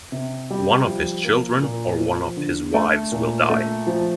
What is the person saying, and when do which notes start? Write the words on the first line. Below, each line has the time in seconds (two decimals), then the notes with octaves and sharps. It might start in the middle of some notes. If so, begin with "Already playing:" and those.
One of his children or one of his wives will die.
0.12 C3
0.50 G3
0.88 F3
1.25 A#3
1.62 A#2
1.99 F3
2.37 D3
2.74 A3
3.12 A#2
3.50 A3
3.87 F3